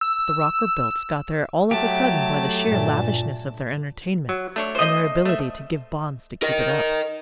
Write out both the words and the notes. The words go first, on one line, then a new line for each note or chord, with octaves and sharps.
The Rockerbilts got there all of a sudden by the sheer lavishness of their entertainment and their ability to give bonds to keep it up.
E6
F#3 A3 G4 A5
G2 A#2
F#3
A3 D4 C#5
C5 D#5
A3 E5
A#4 D#5